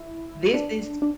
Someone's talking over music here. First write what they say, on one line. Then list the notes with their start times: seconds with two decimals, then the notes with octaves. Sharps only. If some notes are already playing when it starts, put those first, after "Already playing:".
This is"
Already playing: E4
0.53 D4
1.02 D4